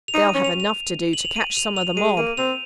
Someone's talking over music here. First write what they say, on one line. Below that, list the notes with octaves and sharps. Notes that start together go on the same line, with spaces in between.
They'll have enough to do to catch some of the mob.
F7
D#4 D#7
D#7
C#4
F7
F7
F#7
F7
D#7
F7
F7
G#3 D#7
A#3 D#7
C4 F7